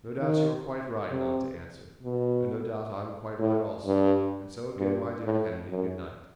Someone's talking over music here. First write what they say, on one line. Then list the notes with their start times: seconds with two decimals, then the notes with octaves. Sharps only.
"No doubt you are quite right not to answer, and no doubt I am quite right also--and so again, my dear Kennedy, good night!"
0.18 D#3
1.10 C3
2.03 B2
3.39 A2
3.85 G2
4.77 G2
5.23 A2
5.69 F#2